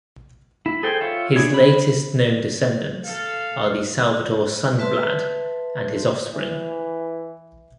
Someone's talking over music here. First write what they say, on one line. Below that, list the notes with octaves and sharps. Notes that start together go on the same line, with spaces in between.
His latest known descendants are the Salvador Sundblad and his offspring.
E4
G#4 A4 C5 G5 G#5
F4 C#5 E5
D4 E4 G#4 C#5
B5
A4 F5
B4 E5 A5 C6
E3